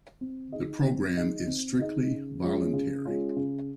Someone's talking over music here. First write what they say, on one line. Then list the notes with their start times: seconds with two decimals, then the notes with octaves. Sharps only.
The program is strictly voluntary.
0.21 C4
0.52 D#4 G#4 D#5
0.84 C4
1.15 D#4 G#4 D#5
1.47 C4
1.79 D#4 G#4 D#5
2.10 C#3
2.42 G#3 C#4 F4
2.73 C#3
3.05 G#3 C#4 F4
3.36 C#3